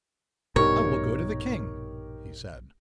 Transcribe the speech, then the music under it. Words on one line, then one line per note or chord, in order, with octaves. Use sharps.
"I will go to the king," he said.
A#1 G2 B2 D#4 G4 A#4 C#5